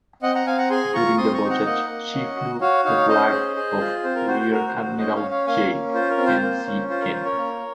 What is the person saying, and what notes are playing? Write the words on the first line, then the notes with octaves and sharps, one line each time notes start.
During the voyage, she flew the flag of Rear Admiral J. McN.
C4 D#5 F#5
F#5 A#5
C4 F5 G#5
F#5 A#5
G#4 G#5 C6
F4 A#5 C#6
C4 C6 D#6
A#5 C#6
D#4
F#5 A#5
A#3 D#5 F#5
A#3
C#4
F#4
F#4 C#5 F5
D#4 C#5 F5
C#4 C5 D#5
G#4
G#4
F4
C4 C5
A#4
F#4 C5
C5
F#4 A#4
C5
F#4
C5
C#4 C5 D#5
C#5 F5
C#4
C#5 F5
A#3 F5 G#5
C#4
F4 C5
A#4
C4
C5
A#3
C#4
F4 C5
A#4
C#4 C5
A#4 C#5
A#3